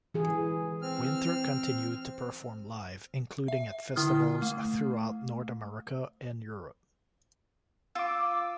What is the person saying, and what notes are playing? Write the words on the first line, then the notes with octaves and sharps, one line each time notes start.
Winter continued to perform live, including at festivals throughout North America and Europe.
E3 G#4
C4 F6
E5
D3 E4 D#6 F6
A3
F4 D6 E6